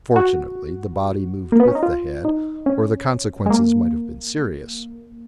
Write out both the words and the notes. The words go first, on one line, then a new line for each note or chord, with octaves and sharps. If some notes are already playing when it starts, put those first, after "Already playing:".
Fortunately, the body moved with the head, or the consequences might have been serious.
F#4
A#3
B3
C#4
D#4
F4
D#4
C#4
G#3
A#3